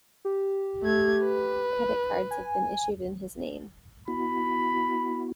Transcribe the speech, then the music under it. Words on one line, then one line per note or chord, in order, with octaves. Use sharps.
Credit cards have been issued in his name.
G4
A3 G#6
B4
G#5
B3 E4 F#4 B5